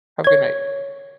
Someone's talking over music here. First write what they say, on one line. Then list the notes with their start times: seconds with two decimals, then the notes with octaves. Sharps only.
Have a good night.
0.24 C#5 G#6